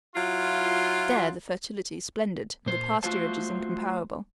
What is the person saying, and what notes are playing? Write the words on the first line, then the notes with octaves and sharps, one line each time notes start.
There the fertility is splendid; the pasturage is incomparable.
F#3 E4 F4
A#2 C5
A3 F4 F#4 C5 F5 A5